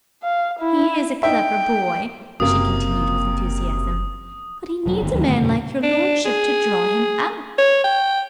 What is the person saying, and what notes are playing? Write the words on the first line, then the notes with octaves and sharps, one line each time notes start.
"He is a clever boy," she continued with enthusiasm, "but he needs a man like your Lordship to draw him out!"
F5
E4
D#4 E5 G5
F#1 F#2 C3 A#3 D#6
E1 F#3
G1 D#3 F#3
D2 D#3 F3 F#3
F#2 D3 A3 C#4
E2 G2 A#2 C#3
D4
G#4
C#5
G5